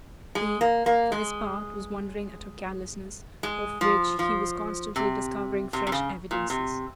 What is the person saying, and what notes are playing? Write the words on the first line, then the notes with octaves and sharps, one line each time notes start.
He, for his part, was wondering at her callousness, of which he was constantly discovering fresh evidences.
G#3
A#3
A#3
G#3
G#3
F3
F3
C3
C3
C3
C#3
A#2
C3